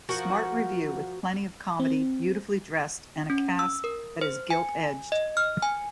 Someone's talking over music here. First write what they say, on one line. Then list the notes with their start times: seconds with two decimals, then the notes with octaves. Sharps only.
Smart revue with plenty of comedy beautifully dressed and a cast that is gilt-edged.
0.09 F3 F#4 A#4 F#5
1.80 C4
3.30 C#4
3.59 E6
3.84 A#4
4.21 C5
4.50 G#5
5.12 D#5
5.37 F6
5.62 G#5